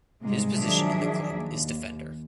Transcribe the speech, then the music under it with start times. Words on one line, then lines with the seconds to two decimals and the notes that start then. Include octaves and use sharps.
His position in the club is defender.
0.22 G#2 C3 G3 G#3 A#3
0.55 D#3 F3 F#3 D4 G#4 E5
1.34 D#2